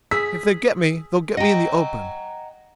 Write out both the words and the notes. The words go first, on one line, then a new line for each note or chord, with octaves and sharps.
If they get me, they'll get me in the open.
G#4 E6 B6
D#5 F#5 G5 A#5